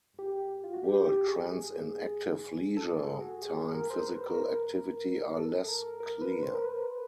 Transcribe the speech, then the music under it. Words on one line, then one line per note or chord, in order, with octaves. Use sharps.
World trends in active leisure time physical activity are less clear.
G4
F4
F#4
G4
G4
G4
G#4
A4
G#4
F#4
G#4
G#4
A#4
C5
B4
A#4
A#4
A4
A#4
A#4
B4
C5
A#4
B4